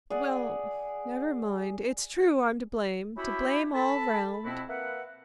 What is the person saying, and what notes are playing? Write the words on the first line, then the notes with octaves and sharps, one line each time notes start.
Well, never mind, it's true I'm to blame, to blame all round.
G#4 D5 F#5
C#4 E4 F#4 G4 E5 B5
A4 A5 B5
F2 B2 C4 E4 F#4 B5
A#3 B4 E5 F#5